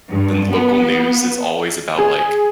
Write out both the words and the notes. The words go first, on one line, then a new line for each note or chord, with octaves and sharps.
then local news is always about, like,
G2
B3
G#4